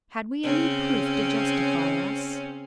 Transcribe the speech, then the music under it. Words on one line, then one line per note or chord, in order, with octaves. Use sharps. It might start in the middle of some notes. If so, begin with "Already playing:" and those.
Had we any proof to justify us?
C#3 C4 C#4